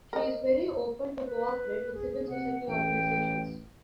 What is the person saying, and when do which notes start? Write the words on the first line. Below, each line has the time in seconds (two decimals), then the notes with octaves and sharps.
She is very open to cooperate with Civil society organizations.
0.13 A#4 D#5
1.24 B4
1.94 G#4
2.29 C3 F#5
2.67 A1 G5